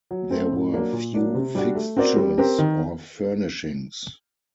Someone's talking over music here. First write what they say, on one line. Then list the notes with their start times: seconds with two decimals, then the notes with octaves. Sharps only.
There were few fixtures or furnishings.
0.11 F#3
0.31 A3 C4
0.52 A2
0.72 F#3 A#3 D4
0.93 A#2
1.14 F#3 A#3 D4
1.34 C3
1.55 G3 D4 F#4
1.75 A3
1.97 C4 F#4 A#4 D5
2.16 G3
2.38 C4 G4 A#4
2.58 D#3